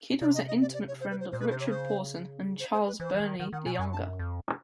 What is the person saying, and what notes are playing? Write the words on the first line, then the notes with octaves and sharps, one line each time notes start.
Kidd was an intimate friend of Richard Porson and Charles Burney the younger.
C3 D5
D#5
D#5
D5
D5
C#5
C5
B4
C5
A#2 C5
B2 B4
C5
C3
C#5
C#3 C5
C5
C5
B4
E3 C5
E3
D#3
D#3 F#5
D#3 F#5
B2 G#5
F#2 G#5
A5
F2